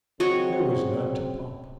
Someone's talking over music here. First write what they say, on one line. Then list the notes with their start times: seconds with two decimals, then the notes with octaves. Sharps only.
There was none to pump.
0.20 C#3 F#3 C4 F#4 C#5 D#5